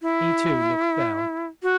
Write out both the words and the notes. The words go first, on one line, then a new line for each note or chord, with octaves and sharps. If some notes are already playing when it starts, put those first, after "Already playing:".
He too, looked down.
E4
F#4